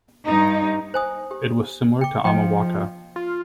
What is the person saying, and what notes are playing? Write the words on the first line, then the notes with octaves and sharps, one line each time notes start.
It was similar to Amawaka.
G2 D#4
C5 G#5 D#6
G4
G5 D6
F3 D#5 G5
F4